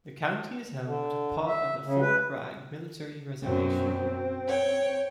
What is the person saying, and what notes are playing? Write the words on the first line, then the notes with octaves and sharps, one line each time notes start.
The county is home to part of the Fort Bragg military reservation.
D3
E5
C#3
B4
F#2 B2 F#3 C4
C#5 G5